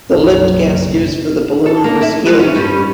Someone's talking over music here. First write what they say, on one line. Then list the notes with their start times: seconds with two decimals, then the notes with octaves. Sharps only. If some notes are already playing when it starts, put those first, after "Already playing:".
The lift gas used for the balloon was helium.
0.12 F#1 B1 F#2
1.66 A4
1.84 A#3
2.02 E4
2.26 G3 G#3 B3
2.40 C#4
2.54 G2 G3 C#4